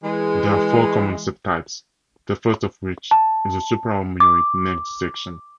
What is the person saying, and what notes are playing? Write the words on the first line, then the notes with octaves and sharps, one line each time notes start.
There are four common subtypes, the first of which is the supraomohyoid neck dissection.
E3 G#3
A5
D6